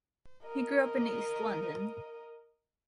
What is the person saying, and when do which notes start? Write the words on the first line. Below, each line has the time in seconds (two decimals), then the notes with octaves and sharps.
He grew up in East London.
0.43 A#4 D#5